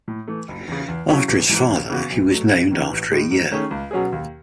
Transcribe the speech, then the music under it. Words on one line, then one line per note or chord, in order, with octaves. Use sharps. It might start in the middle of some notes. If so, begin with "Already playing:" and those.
After his father, he was named after a year.
A2
E3 A3
F#1
E2 C#3
E2
C#3 F#3 C#4 E4
A1
G#2 E3
D#2
C#3 E3 B3 F#4
B1
B2 F#3 A3
E1
E2 D#3
A1
A2 G#3
G#2
D#3 A3 C#4 G#4
C#2
B2 F#3 C#4 G#4
D#2